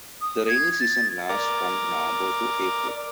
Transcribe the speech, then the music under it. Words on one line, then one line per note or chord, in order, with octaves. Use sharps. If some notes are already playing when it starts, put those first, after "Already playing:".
The rainy season lasts from November to April.
D#6
G#6
A6
A#4 D5